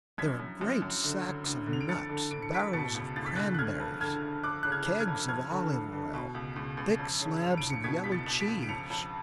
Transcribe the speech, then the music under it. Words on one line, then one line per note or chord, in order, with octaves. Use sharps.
There are great sacks of nuts, barrels of cranberries, kegs of olive oil, thick slabs of yellow cheese.
F#2 G#6 B6
F#2
F#2
F#2
D3
D2
D2
D3
F7
D7
F2 A6 C#7
D3
D3 D7
C#7
F2 B6 D7
B2 A6 C#7
C#2
C#2 A6
B6
C#2 F#6 A6
F#6
D3 F6 G#6
F2
D3 F6 G#6
D3
F2 D6 F#6
C#3 F#6
F6 G#6
F2
F6 G#6
F2
F2 F6 G#6
D3
F2
D3
B2
C#2
C#2
C#2
F2
C#3
F2 F7
F2 D7
C#7
B2 G#6 B6
C#2 B6
A6 C#7
B2
B6 D7
C#2
D7
F2 C#7 F7
F2